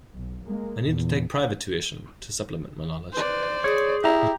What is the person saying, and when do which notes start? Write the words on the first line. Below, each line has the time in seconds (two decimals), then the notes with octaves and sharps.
I need to take private tuition to supplement my knowledge.
0.14 B1
0.45 G#3 A#3
0.82 E2 A#2
3.13 B4 C5 D5
3.64 G#4 C#5
4.04 E4 G4 A#5